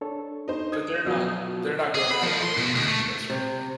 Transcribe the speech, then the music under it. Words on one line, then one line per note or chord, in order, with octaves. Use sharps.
but they're not they're not going out of their way to, like, eat us or anything.
D4 A4 C#5
D#4 C5
D#6 G#6
B2 F3 F#3
G#4
B5
F3
C6
B2
D2
A3
C3